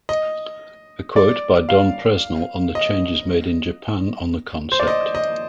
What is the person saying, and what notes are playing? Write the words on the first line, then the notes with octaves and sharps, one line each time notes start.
A quote by Don Presnell on the changes made in Japan on the concept.
D#5
D5
F5
D#5
C5
D5
D#5
D#5